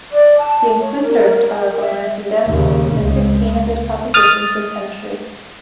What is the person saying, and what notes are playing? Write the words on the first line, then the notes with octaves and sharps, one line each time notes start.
The inquisitor of Tarragona condemned him, and fifteen of his propositions were censured.
D5
A5
C#5
A#4
A#4
E5
D#2 C#3
C#2
D#6 F6 A6